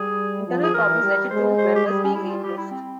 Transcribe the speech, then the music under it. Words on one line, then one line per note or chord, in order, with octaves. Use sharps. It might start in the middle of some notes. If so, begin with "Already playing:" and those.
Internal problems led to two members being replaced.
Already playing: G3 G#4
F3
G#4
E3 A#4
G3
G#3 C5
C5
G4
G3 G#4
C#4
G3 E4
F4
G3 G4
E4
C4